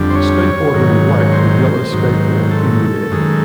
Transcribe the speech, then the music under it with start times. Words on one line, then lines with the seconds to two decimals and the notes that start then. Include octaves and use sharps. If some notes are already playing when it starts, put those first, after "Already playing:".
Skateboarder in black with yellow skateboard in midair.
Already playing: F2 D3 G3
0.10 C5
0.15 C#5
0.74 G#2 D#3 F#3
1.33 C5
1.92 G#2 D#3 F#3
2.51 A4
3.11 F#2 D#3 G#3